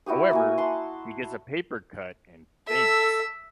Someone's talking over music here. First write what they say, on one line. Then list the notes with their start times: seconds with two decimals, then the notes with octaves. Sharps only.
However, he gets a paper cut and faints.
0.06 E4 F#4 G4 D#6
0.31 A#3 F#4 G#5
0.58 F#5 A5 C6
2.68 A4 E5